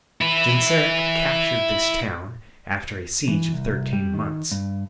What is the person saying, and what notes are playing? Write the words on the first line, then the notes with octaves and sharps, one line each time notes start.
Genseric captured this town after a siege of thirteen months.
E4 B4
E3
C2
G3
D#3
G2